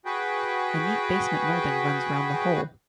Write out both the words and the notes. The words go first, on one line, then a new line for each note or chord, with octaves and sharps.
A neat basement molding runs round the whole.
F#4 G#4 B4 G5